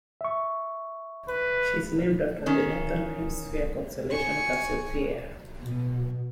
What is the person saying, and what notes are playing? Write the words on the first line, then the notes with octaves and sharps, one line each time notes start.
She is named after the northern hemisphere constellation Cassiopeia.
E5 C#6
B4
D#3 C#4
G#5 C#6
B2